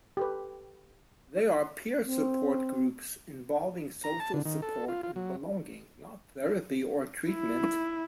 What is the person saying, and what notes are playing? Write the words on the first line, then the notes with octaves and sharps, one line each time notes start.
They are peer support groups, involving social support and belonging, not therapy or treatment.
G4 A4 B4
C4
A#5
A5
D3
D#3
A4
F4
F4
F#3
E4